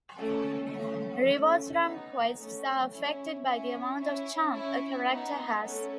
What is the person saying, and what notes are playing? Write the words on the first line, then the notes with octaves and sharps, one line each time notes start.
Rewards from quests are affected by the amount of charm a character has.
A3 C#4
A3 C#4
A3 C#4
B3 D#4
A3 C#4
C#4 E4
C#4 E4
C#4 E4
C#4 E4
B3 D#4
A3 C#4